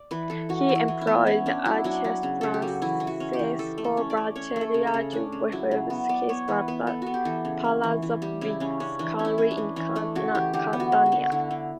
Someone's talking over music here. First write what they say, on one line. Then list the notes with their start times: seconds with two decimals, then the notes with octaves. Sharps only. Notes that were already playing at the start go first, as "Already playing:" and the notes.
He employed the architect Francesco Battaglia to refurbish his Palazzo Biscari in Catania.
Already playing: D5
0.11 E3 B4
0.30 E3 A4
0.49 E3 F#4
0.69 E3
0.75 E4
0.88 E3
1.01 E4
1.07 B3
1.27 C#4 E4
1.46 C#4 D4
1.65 F#3 E4
1.84 F#3 D4
2.04 F#3
2.23 C#3
2.41 C#3 A4
2.54 G4
2.62 F#3
2.68 F#4
2.82 E3 E4
3.00 E3
3.07 F#4
3.20 C#4
3.33 G4
3.39 E3
3.59 E3 A4
3.78 A3
3.84 A4
3.97 C#4
4.10 D5
4.17 C#4
4.36 C#4 C#5
4.56 A3
4.61 A4
4.74 C#3
4.87 A4
4.94 C#3
5.13 C#4 D4
5.32 C#3
5.52 F#3 E4
5.71 C#3
5.90 B3 F#4
6.09 B3 D5
6.29 B3 C#5
6.48 E3 B4
6.68 B3 B4
6.87 B3 A4
7.02 B3 F#4
7.14 G4
7.25 E3 A4
7.45 C#3
7.64 C#4
7.84 E3
8.02 E3
8.22 G3 G4
8.41 C#3 E4
8.60 C#3 C#4
8.80 C#4 D4
8.99 E3 D4
9.19 C#4
9.25 E4
9.38 C#4
9.51 D4
9.57 E3
9.76 E3 C#4
9.96 A3 D4
10.15 C#3 F#4
10.35 E3 G4
10.53 D3 G4
10.73 B3
10.80 F#4
10.92 D3
11.06 F#4
11.12 D3
11.32 D3 E4
11.51 D3